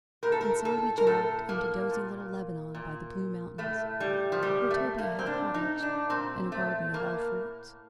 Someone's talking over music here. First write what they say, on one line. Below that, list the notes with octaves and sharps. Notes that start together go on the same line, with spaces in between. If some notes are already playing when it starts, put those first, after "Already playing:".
And so we jogged 'into dozy little Lebanon by the Blue Mountains, where Toby had a cottage and a garden of all fruits.
A2 A#4
A4
A#4
A4
A#4
A2 A4
A#3
A#2
A#2
A2 A3
G3
F3
A#2 G3
A3
A#3
C4
A2 D4
D#4
D4
A#2 C4
A3
A2 A#3